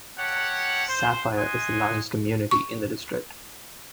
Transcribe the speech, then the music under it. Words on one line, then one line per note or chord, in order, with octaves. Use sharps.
Sapphire is the largest community in the district.
G4 A4 C#5 F#5
C5
D#5 F#5 G#5 C6 D#6
C#6